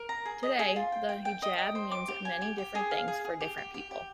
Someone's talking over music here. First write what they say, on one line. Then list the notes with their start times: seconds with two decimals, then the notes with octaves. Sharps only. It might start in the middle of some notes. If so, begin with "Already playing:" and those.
Today the hijab means many different things for different people.
Already playing: A#4
0.09 A#5
0.25 G#4
0.43 D#5
0.59 G#4
0.76 F4
0.92 G5
1.09 G5
1.25 G5
1.42 D#5
1.58 G5
1.75 C5
1.91 D6
2.08 G4
2.25 G#5
2.41 G4
2.58 G4
2.75 G#4
2.91 F5
3.08 G#4
3.25 G#4
3.40 G4
3.58 G4
3.74 G4
3.91 G4